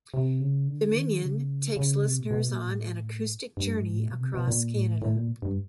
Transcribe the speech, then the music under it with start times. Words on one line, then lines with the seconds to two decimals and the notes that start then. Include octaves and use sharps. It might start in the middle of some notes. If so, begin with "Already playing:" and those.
"Dominion" takes listeners on an acoustic journey across Canada.
0.14 C3
0.40 C#3
0.68 D3
0.95 D#3
1.22 C#3
1.76 C#3
2.03 C3
2.20 A#2
2.31 B2
2.48 A#2
2.66 A2
3.57 G2
3.75 G#2
3.93 A2
4.07 B2
4.20 C3
4.34 B2
4.48 A#2
4.75 A2
5.02 A2
5.15 A#2
5.42 G2